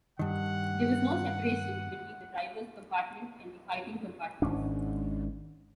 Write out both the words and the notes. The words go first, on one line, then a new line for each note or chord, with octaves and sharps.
There was no separation between the driver's compartment and the fighting compartments.
G2 D#3 F#5
G#1 G#2 C#4 D4